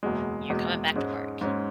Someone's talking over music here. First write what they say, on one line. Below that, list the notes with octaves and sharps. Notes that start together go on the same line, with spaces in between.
You're coming back to work.
F#1 E2 B2 G#3
F#1 E2 B2 G#3
G#2 G#3 C#4
G#2 G#3 C#4